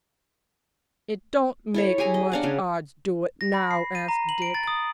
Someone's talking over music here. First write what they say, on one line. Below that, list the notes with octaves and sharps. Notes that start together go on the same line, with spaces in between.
"It don't make much odds, do it, now?" asked Dick.
E4 A4 C#5
G4 G#4 G#5 A#5
D#5
D4 F5 F#5
C#3 C#4 G#4
A#6
B5
C7
D#7
A#5
F#7
D7
A6
D#6